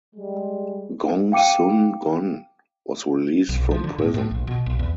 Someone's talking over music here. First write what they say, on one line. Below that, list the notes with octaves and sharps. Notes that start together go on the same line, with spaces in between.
Gongsun Gong was released from prison.
G3 G#3
F5 G5 D6 C#7 D#7
B1
F3
D3
A2
A2
A#1
B2
B1
E2